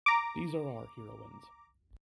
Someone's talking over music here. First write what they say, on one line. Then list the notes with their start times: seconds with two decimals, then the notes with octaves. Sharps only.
These are our heroines.
0.06 A#5 D6